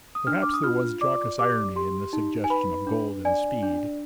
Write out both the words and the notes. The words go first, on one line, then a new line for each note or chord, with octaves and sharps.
Perhaps there was jocose irony in the suggestion of gold and speed.
D#6
D4 F6
D6
D#6
F4 F6
D5 D6
G4 D6
G4 C6
D#4
G#5
B4 B5
D4
D5 G#5
D4